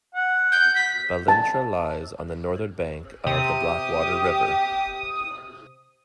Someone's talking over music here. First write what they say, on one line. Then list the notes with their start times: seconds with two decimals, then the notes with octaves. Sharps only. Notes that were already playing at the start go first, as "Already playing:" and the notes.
Ballintra lies on the northern bank of the Blackwater river.
0.15 F#5
0.52 G6
0.75 B6
1.28 A5
3.26 C3 G4 D#6